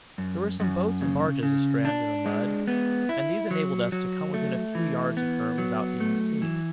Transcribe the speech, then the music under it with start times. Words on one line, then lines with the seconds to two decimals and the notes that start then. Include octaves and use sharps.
There were some boats and barges astrand in the mud, and these enabled us to come within a few yards of her without being seen.
0.18 F#2
0.60 F#2
1.01 C#3
1.43 C#3
1.85 D4
2.26 G#3
2.67 B3
3.09 E4
3.51 F#3
3.92 F#3
4.34 A3
4.75 E3
5.17 B3
5.58 F#3
6.00 A3
6.42 E3